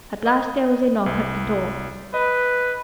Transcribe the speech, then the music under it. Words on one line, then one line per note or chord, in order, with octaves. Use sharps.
At last there was a knock at the door.
D#5
C2
B4 D#5